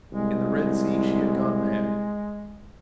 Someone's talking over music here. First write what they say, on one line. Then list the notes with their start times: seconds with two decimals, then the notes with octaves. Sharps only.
In the Red Sea she had gone mad.
0.12 C2 G#3